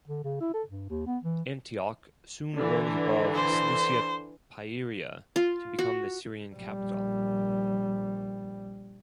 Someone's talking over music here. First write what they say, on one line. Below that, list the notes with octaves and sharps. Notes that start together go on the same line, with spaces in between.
Antioch soon rose above Seleucia Pieria to become the Syrian capital.
D3
C#3
E4
A4
G2
D#2
B3
E3
D3 E3
C5
F4
F#4
A#1 G3